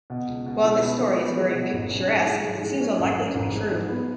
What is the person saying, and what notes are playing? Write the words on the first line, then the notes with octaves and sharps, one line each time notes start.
While this story is very picturesque, it seems unlikely to be true.
B2
C#2
B2
G#3
B3
G#3
B3
G#3
B2
G#1
C#4
G#2
G#3
G#2
G#3
C#4
G#1
C#4
G#1
G#3
G#2
B3